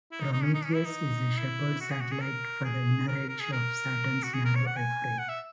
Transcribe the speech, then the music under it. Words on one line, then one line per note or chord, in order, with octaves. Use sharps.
Prometheus is a shepherd satellite for the inner edge of Saturn's narrow F Ring.
E4
D#4
D#4
C#4
D#4
C#4
E4
D#4
E4
F#4
G#4
F#4
G#4
A#4
G#4
A#4
A#4
G#4
A#4
F#4
G#4
A#4
C#5
F#5
G#5
F#5
E5